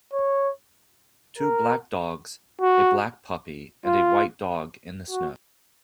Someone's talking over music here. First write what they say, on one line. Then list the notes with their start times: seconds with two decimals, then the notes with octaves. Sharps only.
Two black dogs, a black puppy, and a white dog in the snow.
0.13 C#5
1.39 A#4
2.61 F#4
3.86 F4
5.11 F#4